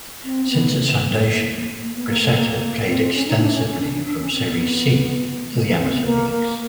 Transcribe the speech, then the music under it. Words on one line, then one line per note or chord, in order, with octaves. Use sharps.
Since its foundation, Grosseto played extensively from Serie C to the amateur leagues.
C4
C4
B3
A3
A#3
A#3
B3
A#3
A3
A#3
A#3
C4
C4
C#4
D#4
D4
C#4
C#4
D4
D4
D4
C#4
C4
B3
A3
A#3
C4
B3
A#3
A#3